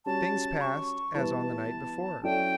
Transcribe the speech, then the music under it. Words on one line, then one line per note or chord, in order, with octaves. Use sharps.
Things passed as on the night before.
G3 C#4 F#4 A5
C#6
E3 G3 B3 E4 B4 A5
F#3 C#4 E4 A4 D5 G5